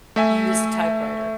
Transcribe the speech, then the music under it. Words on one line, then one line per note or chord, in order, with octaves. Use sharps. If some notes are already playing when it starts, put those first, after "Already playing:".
he used a typewriter.
A3 E5 G#5